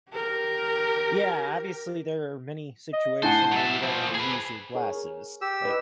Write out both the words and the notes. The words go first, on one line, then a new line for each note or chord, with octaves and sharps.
yeah, obviously there are many situations where you don't wanna use your glasses, like
G4 A#4
D#5
A2 C5 F#5 G#5 A5
F#3 E5
A#2 F3 C5
G#4 B4
G#4 A#4 C#5
G4 E6
B4 D#5